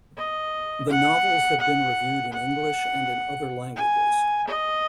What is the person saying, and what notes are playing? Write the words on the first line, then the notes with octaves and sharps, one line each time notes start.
The novels have been reviewed in English and in other languages.
D#5
F#5
F#5
F#5
G#5
D#5